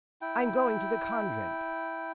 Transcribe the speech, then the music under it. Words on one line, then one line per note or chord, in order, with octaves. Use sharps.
"I'm going to the convent."
E4 G5